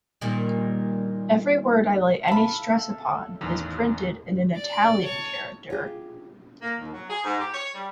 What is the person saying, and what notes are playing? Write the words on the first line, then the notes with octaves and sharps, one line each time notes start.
Every word I lay any stress upon, is printed in an Italian character.
A#2 D#3 G3
A4 E5 F5 A5 B5
A1 E2 D#3
D5
C#5 A5
F4 G4 G#4
A#3
D#2
F#3
G#4
G#2
G4
C#5
G3